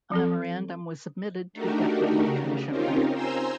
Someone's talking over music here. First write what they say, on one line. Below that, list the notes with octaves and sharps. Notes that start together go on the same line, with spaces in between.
A memorandum was submitted to Deputy Commissioner.
F3 C4 A4
A3 D4 D#4 F#4 G4 A#4
C#3
C4 C#4 D#4 F4 G4 A#4
C5 G#5 A#5 C6 E6